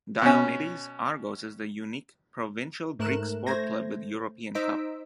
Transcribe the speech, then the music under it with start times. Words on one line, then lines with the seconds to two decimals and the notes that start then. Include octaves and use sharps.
Diomidis Argos is the unique provincial Greek sport club with European cup.
0.22 B2 C#4
2.99 G#2 A3 A#4 F#6 E7
3.47 A3 C5 G#6 A#6
4.55 D#4 C5 D#5 E6 B6 D7